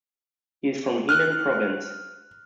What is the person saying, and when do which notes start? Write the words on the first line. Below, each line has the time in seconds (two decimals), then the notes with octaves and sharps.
He is from Henan province.
1.09 F6 F#6